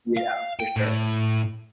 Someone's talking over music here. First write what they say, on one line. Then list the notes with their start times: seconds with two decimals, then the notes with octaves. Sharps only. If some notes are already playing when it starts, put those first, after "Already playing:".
Yeah, for sure.
0.17 F5
0.60 G5
0.76 A2